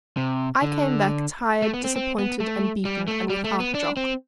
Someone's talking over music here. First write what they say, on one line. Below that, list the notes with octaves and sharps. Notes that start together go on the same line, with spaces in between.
I came back tired, disappointed and beaten, and without Jock.
C3
D3
A3
B3
C4
C4
B3
A3
G3
A3
G3
A3
B3
D4
C4